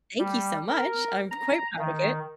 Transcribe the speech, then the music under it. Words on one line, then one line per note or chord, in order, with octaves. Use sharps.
thank you so much, I'm quite proud of it.
G3
A#4
A#5
D#3